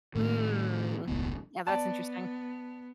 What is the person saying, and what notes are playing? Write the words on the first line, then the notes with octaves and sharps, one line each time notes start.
Mm. Yeah, that's interesting.
A2 D#3
E1 C#2 A2 B3
B3 D5 A5